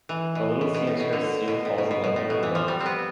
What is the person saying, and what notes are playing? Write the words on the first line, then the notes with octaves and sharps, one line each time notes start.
The Little Seamstress soon falls in love with Luo.
E3
B2
B2
B2
A2
B2
D3
B2
A2
B2
B2
B2
A2
B2
E3
F3
G3
C4
B3